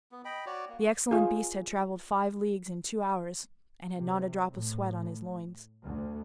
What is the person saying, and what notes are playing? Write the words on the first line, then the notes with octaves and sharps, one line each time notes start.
The excellent beast had travelled five leagues in two hours, and had not a drop of sweat on his loins.
B3
D#5 G5 B5
F#4 C#5 D5
A#3
F4 G#4
C3
A2
D2